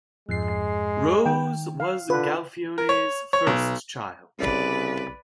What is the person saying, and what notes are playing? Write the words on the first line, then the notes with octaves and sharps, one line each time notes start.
Rose was Galfione's first child.
F2 G#2 G#3 C7
D#3 G5
F5
D3 F4 B4
A#4
C#5
C#5
B1
C2 C#3 B4 D5